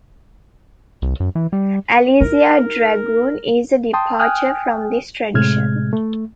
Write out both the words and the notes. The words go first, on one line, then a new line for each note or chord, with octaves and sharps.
"Alisia Dragoon" is a departure from this tradition.
C2
F#2
E3
G3
D#4 A#4
G5 A5 C6 D#6
G5 G#5 D#6 F6 F#6
A2 C3 G#3 F6 G#6
A3